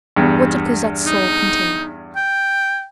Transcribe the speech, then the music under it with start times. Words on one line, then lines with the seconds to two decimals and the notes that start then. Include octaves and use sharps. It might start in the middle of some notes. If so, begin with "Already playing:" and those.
What did Cosette's soul contain?
0.16 E2 G2
1.06 D#4
2.16 G5